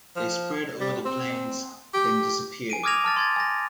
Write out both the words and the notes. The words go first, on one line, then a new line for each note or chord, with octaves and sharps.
They spread over the plains, then disappeared.
F3
G3
C4
G4
G#5 D7 D#7
D6 D#6 F6 G#6 A#6 F7
A5 F6 A6
C6 G#6 A6
G#5 A#6